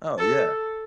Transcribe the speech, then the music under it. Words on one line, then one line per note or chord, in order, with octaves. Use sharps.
Oh, yeah.
A4